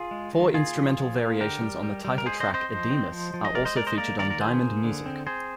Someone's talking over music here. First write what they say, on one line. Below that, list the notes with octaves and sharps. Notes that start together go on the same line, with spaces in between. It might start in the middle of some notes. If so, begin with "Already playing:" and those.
Four instrumental variations on the title track "Adiemus" are also featured on "Diamond Music".
Already playing: F4 G#4
G#3
D#3
A#3 F4 G#4
F3
F3
A#3
D3 G4 A#4
G3
G3
G3
A#4
G#3 G#4 C5
C5 D#5
C4
C5 D#5
F3
C4
F3
F3
D#5
G#3 A#4 D5
C5 D#5
G#3 A#4 D5
C5 D#5
A#3 A#4 D5
D#3 A#4 D5
A#4
A#3 G#4 C5
A#3
D3
C4
C4 G#4 C5